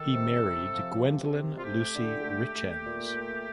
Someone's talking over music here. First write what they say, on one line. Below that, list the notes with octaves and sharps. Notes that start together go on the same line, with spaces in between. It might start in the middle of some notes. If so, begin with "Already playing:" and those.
He married Gwendoline Lucy Richens.
Already playing: D#3 A4
C3
C3
F3
C3
C3
F4
A3 G4
D3
A3
A3
A#2
A3